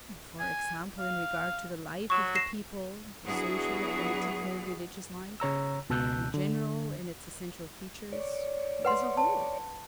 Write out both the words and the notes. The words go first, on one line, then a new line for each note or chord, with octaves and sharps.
"For example, in regard to the life of the people--the social, political, religious life--in general, in its essential features--as a whole."
G#5
F5
F#3 C#6 E7
A#6 C7 E7
F#3 B3 D4 E4 F#4 G#4
C#3 C#5 A#5 E6
C#2 B2 A5 E6 F#6 G6
D3
C#5 D5
B4 F#5 C6
A5